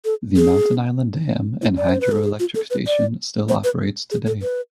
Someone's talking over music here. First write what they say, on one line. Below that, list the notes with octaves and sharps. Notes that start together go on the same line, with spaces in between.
The Mountain Island Dam and Hydroelectric Station still operates today.
A4
G#4
E4
D5
C5
B4
A4
G#4
F4
A4
B4
D5
C5
B4
G#4
A4
B4